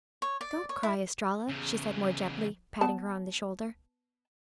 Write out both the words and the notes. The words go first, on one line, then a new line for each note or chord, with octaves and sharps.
"Don't cry, Estralla," she said more gently, patting her on the shoulder.
C#5
D5
C#5
E4
E2 C#3
B3 A5